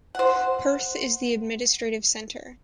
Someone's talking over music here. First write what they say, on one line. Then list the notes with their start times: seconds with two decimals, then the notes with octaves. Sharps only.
Perth is the administrative centre.
0.15 C5 F#5